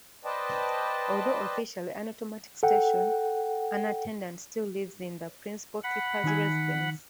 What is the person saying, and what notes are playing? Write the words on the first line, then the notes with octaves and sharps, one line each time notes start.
Although officially an automatic station, an attendant still lives in the Principal Keeper's residence.
B4 C5 D5 D#5 G5 A5
A4 F#5 G5
F#5 B5
D#3 D#4 G#5